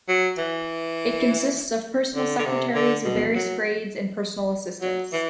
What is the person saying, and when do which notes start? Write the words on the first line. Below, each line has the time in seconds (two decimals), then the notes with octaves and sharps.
It consists of personal secretaries of various grades and personal assistants.
0.08 F#3
0.38 E3
2.15 D3
2.39 D3
2.45 C3
2.75 D3
3.04 B2
3.35 F#3
4.82 F#3
5.12 E3